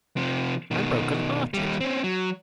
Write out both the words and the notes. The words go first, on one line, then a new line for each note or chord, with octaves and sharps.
I am broken-hearted.
C3 F3
B2 D#3
D#2 G3
C4 C#4
F#3